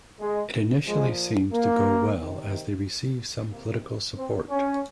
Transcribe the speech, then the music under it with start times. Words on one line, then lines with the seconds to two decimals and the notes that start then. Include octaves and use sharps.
It initially seems to go well as they receive some political support.
0.21 G#3
0.86 A#2 F3 G#3
1.53 A#3
2.19 C3 D#3
3.50 C3 D#3 A#3
4.17 C4
4.50 C#4